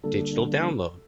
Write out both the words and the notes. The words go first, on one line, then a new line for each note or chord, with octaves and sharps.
Digital download.
D3 G3 A#3 D4 A4